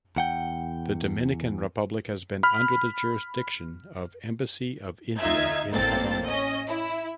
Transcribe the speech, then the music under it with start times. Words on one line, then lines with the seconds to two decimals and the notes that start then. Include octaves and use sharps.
The Dominican Republic has been under the jurisdiction of Embassy of India in Havana.
0.16 E2 F#5 G5
2.43 B5 F6
5.19 D2 D#4 F4 E5 G#6
5.72 A1 A#3 C4 A4 A6
6.27 C#4 D#5
6.69 E4